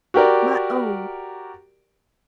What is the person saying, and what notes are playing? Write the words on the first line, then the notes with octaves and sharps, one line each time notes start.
My own!
F#4 G4 A#4 D5